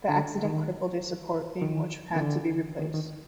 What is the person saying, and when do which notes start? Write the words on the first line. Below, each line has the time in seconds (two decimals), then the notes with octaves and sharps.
The accident crippled a support beam, which had to be replaced.
0.09 D3
0.45 D#3
1.62 D#3
2.16 D#3
2.21 D3
2.79 D#3
2.94 D#3